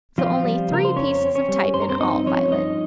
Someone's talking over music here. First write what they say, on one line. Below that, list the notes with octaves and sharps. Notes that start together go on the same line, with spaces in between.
"So only three pieces of type in all, Violet."
F3 C4 F4
G3
C#3 A#4
C5
F2 C#4 C#5
C4
C#4 C#5
G3
G2 C5
A#4
C4 C5
C4 D#4 D#5
F3 C#4 C#5
G2 D#4 D#5